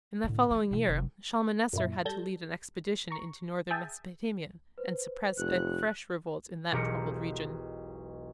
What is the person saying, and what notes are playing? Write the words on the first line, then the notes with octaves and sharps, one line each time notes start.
In the following year Shalmaneser had to lead an expedition into northern Mesopotamia and suppress a fresh revolt in that troubled region.
A2 D3
E3 A3
B2 E3
F1
F#2 A#2 E4
G3 A4 A5 G6 G#6 A#6
A#5 C#6
G#4 E5 G5 A5 D#6 G#6
B4 C5
F1 F#6
E1 B1 G4 A#4 C#7